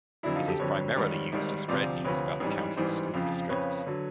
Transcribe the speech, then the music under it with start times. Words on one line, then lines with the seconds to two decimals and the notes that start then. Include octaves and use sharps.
It is primarily used to spread news about the county's school districts.
0.23 F2 D3 F#3 D4 E4
0.35 D#4 F4
0.48 G4 A4
0.59 F2 D3 F#3 B4 C#5
0.96 G#1 G#2 D#3 G3
1.32 G#1 G#2 D#3 G3
1.68 D2 C3 F3 C5 D5
2.05 D2 C3 F3 B4 C#5
2.40 A1 G#2 E3 G3
2.77 A1 G#2 E3 G3 C5 D5
3.14 F2 C#3 F3
3.49 F2 C#3 F3 B4 C#5
3.87 D3 F#3